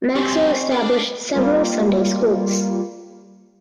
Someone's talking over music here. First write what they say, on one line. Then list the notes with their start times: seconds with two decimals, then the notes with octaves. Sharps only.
Maxwell established several Sunday Schools.
0.15 G3 C4 C#4 F#4 G4 C6
0.71 D4 G4 A#4 D5
1.33 G3 A#3 F4